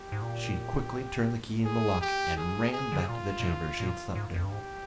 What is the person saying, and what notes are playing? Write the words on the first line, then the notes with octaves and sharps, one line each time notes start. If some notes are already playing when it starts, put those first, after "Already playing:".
She quickly turned the key in the lock, and ran back to the chamber she had slept in.
Already playing: G4
G#2
A#2
G#4
G4
G#4
G#4
D3
C3
A#2 F4
A#2
C3
A#2
G#2
F2
G2
G#2 G4